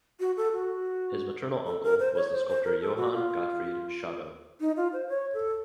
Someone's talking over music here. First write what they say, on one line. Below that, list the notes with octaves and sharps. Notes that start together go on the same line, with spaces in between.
His maternal uncle was the sculptor Johann Gottfried Schadow.
F#4
A4
F#4
A4
A#4
C5
C#5
C5
C5
A#4
A4
F#4
F4
D#4
F4
C5
C#5
A4